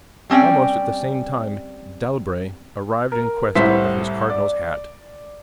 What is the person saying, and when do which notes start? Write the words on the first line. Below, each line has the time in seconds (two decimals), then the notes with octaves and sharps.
Almost at the same time d'Albret arrived in quest of his cardinal's hat.
0.30 G3 C4 C#4 D5 G5
3.12 A#4
3.55 C2 A2 G3 E4 C5 B6
4.30 D5